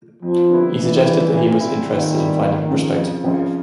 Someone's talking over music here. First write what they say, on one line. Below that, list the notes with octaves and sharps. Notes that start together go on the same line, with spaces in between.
He suggested that he was interested in finding a prospective wife.
F2 F3
D3 G3 B3 E4
F2 E3
D3 G3 B3 E4
A#2
G3 C4 E4
A#2 D#3
G3 C4 E4
F2
C#3 F3
F2
C#3 F3